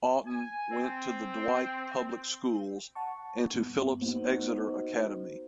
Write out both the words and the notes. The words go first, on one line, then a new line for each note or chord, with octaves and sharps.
Oughton went to the Dwight public schools and to Phillips Exeter Academy.
G#5
C4
F#5 A5 C#6
G2 B3
A#3 B3 D#4 F#4 C5